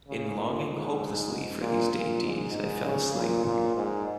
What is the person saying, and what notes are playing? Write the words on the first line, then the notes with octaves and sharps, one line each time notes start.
In longing hopelessly for these dainties I fell asleep.
C#3
A#2
G#2
A#2
A#2
G#2
G#2
C#3
A#2
A#2
G#2